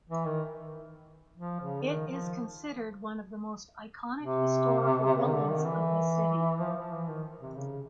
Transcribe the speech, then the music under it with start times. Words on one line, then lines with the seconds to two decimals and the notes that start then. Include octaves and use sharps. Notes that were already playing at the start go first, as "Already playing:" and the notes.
It is considered one of the most iconic historical buildings of the city.
0.09 E3
0.25 D#3
1.37 F3
1.60 C#3
1.84 D#3
2.08 F3
4.22 C3
5.17 C#3
5.27 D#3
5.34 D3
5.49 D#3
5.65 E3
6.61 F3
6.76 F3
6.92 E3
7.08 D#3
7.40 C3
7.56 C#3